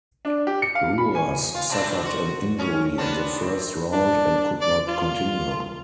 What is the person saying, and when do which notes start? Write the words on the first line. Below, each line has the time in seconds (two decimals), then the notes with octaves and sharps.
Ruas suffered an injury in the first round and could not continue.
0.25 D4
0.47 G4
0.62 C#7
0.75 F5
0.98 B5
1.15 G#5
1.54 F4
1.70 B2 C4 D4
2.04 F#4
2.59 C#4
2.98 B3 C4 D4
3.42 C4
3.93 D4
4.61 D5
4.88 F4